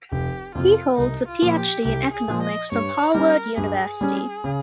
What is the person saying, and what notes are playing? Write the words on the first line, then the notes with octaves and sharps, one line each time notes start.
He holds a Ph.D. in economics from Harvard University.
F1 G4
F2 C3 F3 F4
C2 D#4
F4
A#2 F3
G4
C2 G4
G#4
A#2 F3
D#5
G2 C#5
G3 C#4 A#4
G2 G#4
G3 C#4
C#3